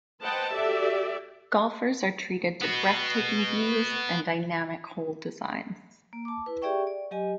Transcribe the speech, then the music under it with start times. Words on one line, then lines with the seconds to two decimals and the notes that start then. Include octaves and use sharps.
Golfers are treated to breathtaking views and dynamic hole designs.
0.21 B4 C5 D#5 F#5 G5 A5
0.54 F#4 G4 A4 D5 E5
2.61 B3 F#4
6.13 A#3
6.25 A5 D6
6.46 E4 B4
6.62 G4 G#4 D5 E5 G5 C#6
6.87 D5
7.11 F#3 G4 D#5 G#5